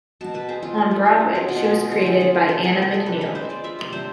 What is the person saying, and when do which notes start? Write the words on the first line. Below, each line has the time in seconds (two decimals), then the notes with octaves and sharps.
On Broadway she was created by Anna McNeely.
0.21 B2 A5
0.34 B2 B4
0.48 C4 G#4
0.62 G#3 F4
0.77 C4
0.91 A3
1.06 A3
1.20 C4
1.35 B2 G#4
1.48 B2 F4
1.63 G#3 G#4
1.78 B2
1.91 D3 F4
2.02 C4 F4 G#4
2.20 C4 F4
2.35 C4
2.49 C3 A4
2.64 C3 G#4
2.78 C3 G#4
2.92 C3 A4
3.06 D4 B4
3.21 G#3 B4
3.35 G#3 C5
3.49 F4 D5
3.64 F4 E5
3.79 C3
3.92 D4 C5